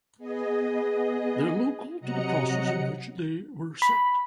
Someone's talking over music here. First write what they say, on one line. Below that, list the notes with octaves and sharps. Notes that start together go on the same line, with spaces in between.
They are local to the process in which they were set.
B3 G#4 D#5
C3 F#3 D#5 F#5 A#5 C#7
B5